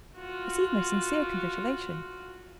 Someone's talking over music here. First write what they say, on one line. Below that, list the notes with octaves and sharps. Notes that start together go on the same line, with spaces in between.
"Receive my sincere congratulation."
F4 F#4